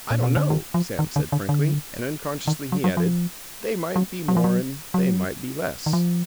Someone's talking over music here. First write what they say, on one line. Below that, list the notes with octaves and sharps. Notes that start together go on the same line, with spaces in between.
"I don't know," Sam said frankly, and, unconsciously, he added, "They might be more and they might be less."
A#2
B2
D3
D#3
F3
D#3
D3
D3
D3
D#3
F#3
F#3
F3
F#3
F#3
F3
F#3
F#3
D#3
F3